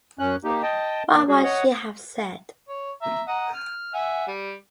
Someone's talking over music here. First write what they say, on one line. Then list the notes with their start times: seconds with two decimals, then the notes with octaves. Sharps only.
What would she have said?
0.19 F#2 C#4 F#6
0.44 A#3 D#4 G4
0.63 D#5 G5 A5
1.13 D#3 A#3 D4 D5
1.28 G3 F#4 G#4
1.44 C#5 D#5 F#5
2.69 C#5
3.02 E5 A#5
3.27 D#5 F#5 A#5
3.53 F6
3.93 E5 F#5 G#5
4.27 G3